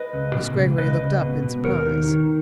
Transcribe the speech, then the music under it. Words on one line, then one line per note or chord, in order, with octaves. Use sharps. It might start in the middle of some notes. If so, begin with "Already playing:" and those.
Miss Greggory looked up in surprise.
Already playing: B4 D#5
C#2
B2
C#2
C#2 B4 D#5
C#2
B2
B2
D#2 A#4 C#5
D#3
D#3